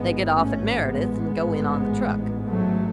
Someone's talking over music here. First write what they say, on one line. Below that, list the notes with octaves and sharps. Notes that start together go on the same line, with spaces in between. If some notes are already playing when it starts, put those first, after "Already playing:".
They get off at Meredith and go in on the truck.
Already playing: A1 G#2 G#3 B3
A3 C#4
G#3 B3
A1 G#2
F#3 A3